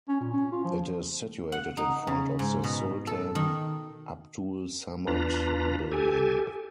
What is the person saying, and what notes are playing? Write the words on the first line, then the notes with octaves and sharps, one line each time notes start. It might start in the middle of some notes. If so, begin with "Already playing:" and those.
It is situated in front of the Sultan Abdul Samad Building.
C#4
A#2
C#4
F4
F3
F#5
D#4
C#3
G#2
B2
A4
D#3
E2 D4 F4 B4 A#5
G4 A4 G#5